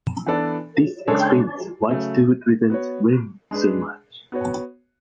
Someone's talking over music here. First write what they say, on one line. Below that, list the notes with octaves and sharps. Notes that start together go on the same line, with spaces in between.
This explains why Stewart resents Remy so much.
E3 B3 D4 A4 D5
C#3 G#3 D4 A4 C#5
C#3 F#3 A3
B3 F#4 C#5
G#3 D4 G#4 B4
B3 F#4 C#5